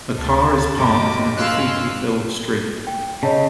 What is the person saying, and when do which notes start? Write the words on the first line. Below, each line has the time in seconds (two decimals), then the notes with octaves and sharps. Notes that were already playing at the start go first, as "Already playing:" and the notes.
A car is parked in a graffiti filled street.
0.18 D2 A5
0.78 B1 G2 C#5 D6
1.37 C#5 F5 G#5 C6 E6 F#6
2.87 G5
3.23 C#3 C#5 D#5 A5